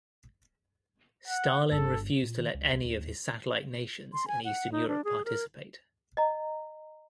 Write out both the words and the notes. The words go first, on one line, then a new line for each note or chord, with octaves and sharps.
Stalin refused to let any of his satellite nations in Eastern Europe participate.
F#5
G1 G2 A4
A#2
D#3
C#2
C2
D#2
D#2
C6
G#5
F#5
D#4
D4
G#4
A#4
D#5 A#5